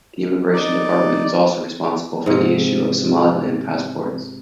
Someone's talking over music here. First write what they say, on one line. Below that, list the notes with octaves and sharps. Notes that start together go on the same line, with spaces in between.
The Immigration Department is also responsible for the issue of Somaliland Passports.
D#4 D5
G#2 C3